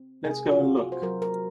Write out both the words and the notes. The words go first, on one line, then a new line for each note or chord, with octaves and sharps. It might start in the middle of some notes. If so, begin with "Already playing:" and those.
Let's go and look.
Already playing: C4
C3 G#4
F#4
F4
C4
F#4
C5
F#3 A#4
A#4